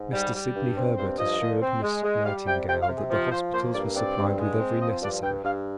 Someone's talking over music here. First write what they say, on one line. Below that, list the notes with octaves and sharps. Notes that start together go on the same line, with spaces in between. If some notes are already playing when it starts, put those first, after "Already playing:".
Mr. Sidney Herbert assured Miss Nightingale that the hospitals were supplied with every necessary.
Already playing: G#2
G3
G3
G2
C4
G2 C5
F3 D#5
A#2
C4
G#3
G#3
G3 F5
C3 G5
C3 G5
F5
C3
G#4
F3
F3 C5
A#3 C5
G2 D5
C4 D5
G2
G#3
C4
F3 D#5
G2 D5
G2 G5
G2 F5